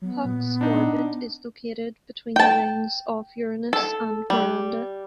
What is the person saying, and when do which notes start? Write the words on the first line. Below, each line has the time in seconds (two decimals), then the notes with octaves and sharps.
Puck's orbit is located between the rings of Uranus and Miranda.
0.02 F#3 B3
0.25 A#2
0.61 D4 D#4
2.36 G5 A5
3.73 A4
4.30 G3